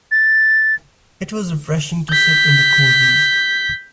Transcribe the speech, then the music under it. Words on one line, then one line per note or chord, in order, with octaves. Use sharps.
It was refreshing to sit in the cool breeze.
A6
G6 B6